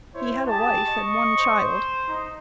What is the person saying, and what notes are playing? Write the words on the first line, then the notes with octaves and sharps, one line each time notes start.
He had a wife and one child.
E4 C5 C#5
G4 G#4 A5
D#5 C#6
C5
D#4